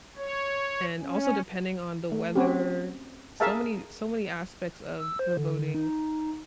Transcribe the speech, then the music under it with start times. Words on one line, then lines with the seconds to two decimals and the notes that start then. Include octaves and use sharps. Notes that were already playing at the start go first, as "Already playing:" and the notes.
and also depending on the weather. So many so many aspects of the voting
0.17 C#5
1.00 C#4
2.12 A3
2.35 C4 C#4 F#4 G4
3.40 G#4 A#4 E5 F5 A5
4.98 E6
5.19 C5
5.37 D3
5.74 D#4